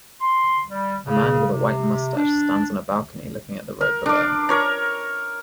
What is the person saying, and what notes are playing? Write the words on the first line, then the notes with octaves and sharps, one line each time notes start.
A man with a white mustache stands on a balcony looking at the road below.
C6
G3
C#3
C3
D4
A#4
D4 D6
A#4 C#5 A#5